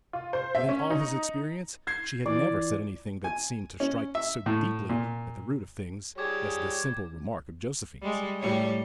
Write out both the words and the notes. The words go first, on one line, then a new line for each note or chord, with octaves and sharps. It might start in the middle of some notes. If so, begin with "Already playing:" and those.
But in all his experience she had never said anything that seemed to strike so deeply at the root of things as this simple remark of Josephine's.
F4
C5
E5
C#4
D#4
G6 G#6 C7
E3 F4 D5
G#5
C#4
E5
A2
A#2
G3 G#4 C#5 D6 G#6
G3 G#3
A2 G3 C#5